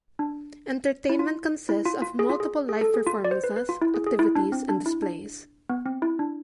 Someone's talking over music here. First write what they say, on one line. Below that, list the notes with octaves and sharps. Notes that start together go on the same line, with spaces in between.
Entertainment consists of multiple live performances, activities and displays.
D4
E4
F4
E4
F4
F4
G#4
F4
G#4
G#4
A4
G#4
F4
D5
C5
B4
B4
F4
E4
G#4
G#4
E4
D4
C4
D4
E4
D4
B3
C4
E4
D4